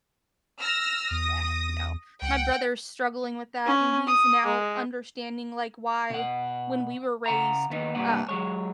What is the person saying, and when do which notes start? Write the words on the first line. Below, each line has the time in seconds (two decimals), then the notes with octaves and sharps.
Yeah, no. My brother's struggling with that, and he's now understanding, like, why, when we were raised, uh,
0.61 E6 F6 A#6
1.11 E2 D#6 A#6
2.22 C#2 F#5 G5
3.66 C#4
4.08 D#6
4.46 G#3
6.10 B2 F#5
7.26 C#3 F#5 A#5
7.70 D#2 B3 D#4
7.95 G2 C3 G3 A#3 B3 F#5
8.28 F#3 G#3 C#5